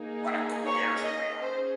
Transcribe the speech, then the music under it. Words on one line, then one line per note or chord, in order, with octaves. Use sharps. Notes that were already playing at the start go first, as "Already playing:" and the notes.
What a queer smell!
Already playing: A#3 D#4 G#4
C#5
D#5
C#4 G#4 C5